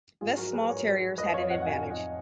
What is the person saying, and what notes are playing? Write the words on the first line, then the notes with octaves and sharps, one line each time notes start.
Thus small terriers had an advantage.
G#2 F4 G#4
F#3 F#4 A#4
F#3 G#4 B4
G#2 A#4 C#5
F#3
F#3
F2 B4 D#5
F2 C#5 F5
F2 D#5 F#5
F#5
F#3 F5 G#5
F2
D#5 F#5